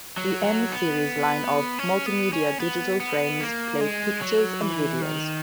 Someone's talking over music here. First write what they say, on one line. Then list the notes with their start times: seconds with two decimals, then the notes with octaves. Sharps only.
The M-series line of "multimedia" digital frames play pictures and videos.
0.17 F#3
0.45 F#3
0.72 B3
1.79 C#4
2.06 B3
2.33 C#4
2.60 B3
3.00 B3
3.41 A#3
3.81 G#3
4.21 F#3
4.61 E3
5.02 D#3